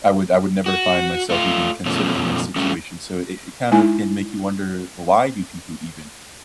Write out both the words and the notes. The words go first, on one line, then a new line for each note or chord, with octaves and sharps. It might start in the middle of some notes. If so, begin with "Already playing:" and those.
I would I would never find myself even considering that situation. So it it kind of can make you wonder why do people even,
F#4
A3 F4
F#2 B2 F3 A3 C#4
G3 A3 C#4
G#3 D#4 E4 G#5